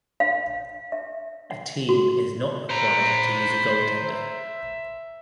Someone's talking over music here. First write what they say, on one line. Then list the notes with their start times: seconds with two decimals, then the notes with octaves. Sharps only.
A team is not required to use a goaltender.
0.20 F5
0.92 E5
1.51 F#5
1.89 F#4
2.69 C5 A#5 B5
4.08 E5